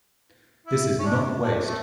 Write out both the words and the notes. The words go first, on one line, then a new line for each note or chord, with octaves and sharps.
This is not waste.
E4
C#4
D4
D4
A3